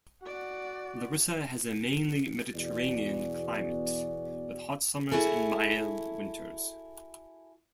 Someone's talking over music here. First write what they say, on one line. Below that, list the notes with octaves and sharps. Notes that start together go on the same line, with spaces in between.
Larissa has a mainly Mediterranean climate with hot summers and mild winters.
F#4 D5 F#5
E2 B2 F#4 G#4 D5
E4 F#4 G#4 A4